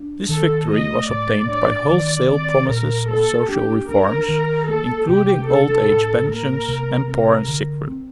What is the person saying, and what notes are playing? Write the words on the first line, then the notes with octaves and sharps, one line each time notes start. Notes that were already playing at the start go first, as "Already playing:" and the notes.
This victory was obtained by wholesale promises of social reforms, including old age pensions and poor and sick relief.
Already playing: D4
D#3 A4
A3 D#5
A2 D5
D4 D5
D#3 D5
C4 D5
A#2 A#4
A#3 A4
D4 G4
D4 A#4
D#3
A#3 A4
C3 G4
D4 A4
A2
A#3 A#4
C3
C4 A#4
D3
C4